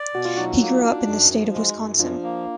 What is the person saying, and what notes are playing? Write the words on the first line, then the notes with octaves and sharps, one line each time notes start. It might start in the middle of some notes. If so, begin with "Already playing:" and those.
He grew up in the state of Wisconsin.
Already playing: D5
B2 F#4
F4
F#3 D#4 F#4
A#3
D4
F#2
F3
G#3
F#2
F3 D4 F4
A#3